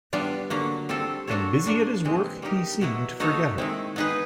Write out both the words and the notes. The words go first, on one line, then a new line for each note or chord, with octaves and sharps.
And busy at his work he seemed to forget her.
G3 B3 D4 F4
D3 F#3 A#3
G3 C4 F4 A4
A#3 D4 F#4 A4 C#5
A2 F3 A#3 D4
C3 E3 G#3 C4
G3 A#3 D#4 G4 A#4
B2 F#3 B3 E4
A#3 D#4 F#4 A4 C#5
D#3 G#3 C4 E4
B3 D#4 G#4 B4